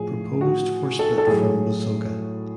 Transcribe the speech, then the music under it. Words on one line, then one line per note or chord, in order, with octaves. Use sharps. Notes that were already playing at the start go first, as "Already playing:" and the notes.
Proposed for split from Busoga.
Already playing: A2 F3 G#4
F#4
A4
A4
A2 F#3 G#4